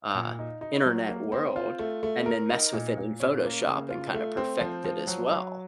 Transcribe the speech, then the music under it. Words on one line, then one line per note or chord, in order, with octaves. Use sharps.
uh, internet world and then mess with it in Photoshop and kinda perfect it as well.
A#2
D#4
D#4
F#3
A#3
C4
F4
A3
A3
A#4
D#4
A#2
A#2
C#4
A#3
C#3
F4
A3
C4
F3
F3
F#3
F#3